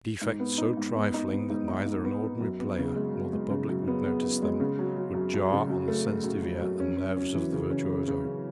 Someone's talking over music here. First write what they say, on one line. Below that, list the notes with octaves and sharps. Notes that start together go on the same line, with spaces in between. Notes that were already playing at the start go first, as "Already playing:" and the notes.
Defects so trifling that neither an ordinary player nor the public would notice them, would jar on the sensitive ear and nerves of the virtuoso.
G#2
B3
D#4
G#2
B3
D#4
B3
G#2
D#4
G#2
B3
B3
F#2
B3
C#3
G#3
F#2
G#3
C#3
F#2
B3
B3
B3
G#3
C#3
F#3
F#3
F#2
F#2
C#3
F#2
A3
A3
F#2
F#2
F#2
C#4
C#4
C#4
E3
C#3
C#4
C#3
C#3
C#3